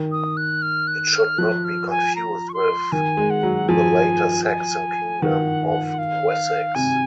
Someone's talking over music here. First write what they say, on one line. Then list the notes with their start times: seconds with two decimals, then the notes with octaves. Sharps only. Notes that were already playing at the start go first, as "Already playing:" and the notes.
It should not be confused with the later Saxon kingdom of Wessex.
Already playing: D#3
0.12 D#6
0.37 F#6
0.62 F6
0.87 F#6
1.14 F6
1.38 F3 F#6
1.64 F6
1.90 G#5
2.16 A#5
2.49 C#6
2.54 C6
2.92 D#3 G#5
3.17 G#3
3.30 F#5
3.43 F#3
3.68 F3 G#5
4.45 G#5
5.22 D#3 F#5
5.98 F5
6.75 C3 G#5